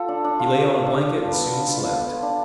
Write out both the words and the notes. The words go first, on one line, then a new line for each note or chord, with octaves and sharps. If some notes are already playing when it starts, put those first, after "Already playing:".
He lay on a blanket and soon slept.
Already playing: F4 A4
D4
D4
F4
A4
D4
D4
D4
F4
B3
B4
D4
F4
B3
B4
D4